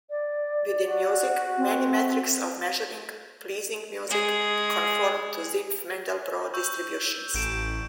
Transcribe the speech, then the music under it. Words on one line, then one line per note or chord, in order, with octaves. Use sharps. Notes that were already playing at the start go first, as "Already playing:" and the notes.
Within music, many metrics of measuring "pleasing" music conform to Zipf-Mandelbrot distributions.
D5
F#4
C4
G#3 G#4
C#6 E6 G6
A1 G6 D7 E7